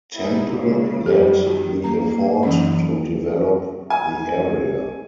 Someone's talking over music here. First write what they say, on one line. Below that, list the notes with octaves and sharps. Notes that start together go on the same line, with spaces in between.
Temple led the effort to develop the area.
D#4 E4
C#3 G#3
F#2 G3 G4
D#3 F#4
A#3 A#5
F#2 E3 C#4 D#4 B5
G#5